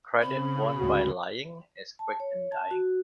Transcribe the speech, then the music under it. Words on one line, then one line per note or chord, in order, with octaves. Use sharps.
Credit won by lying is quick in dying.
C#3 C4 B5
D2 G#2 F#4
A5
C#5
A5
F#4